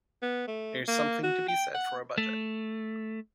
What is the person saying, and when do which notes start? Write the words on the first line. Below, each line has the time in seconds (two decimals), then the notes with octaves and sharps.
There's something to be said for a budget.
0.22 B3
0.47 A3
0.88 A#3
1.23 F#4
1.48 G5
1.74 F#5
2.18 A3